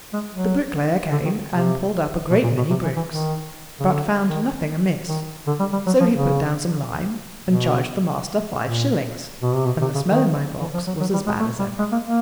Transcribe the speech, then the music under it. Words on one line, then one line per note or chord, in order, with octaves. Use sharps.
The bricklayer came and pulled up a great many bricks, but found nothing amiss; so he put down some lime and charged the master five shillings, and the smell in my box was as bad as ever.
G#3
F#3
D3
D#3
C3
B2
A#2
B2
C3
E3
E3
D#3
C#3
D3
D#3
D#3
D3
G3
G3
F#3
F3
C#3
B2
A#2
B2
C3
B2
C3
C#3
D#3
E3
F3
F#3
F#3
G3
G#3
A3
G3
G#3
A#3
A#3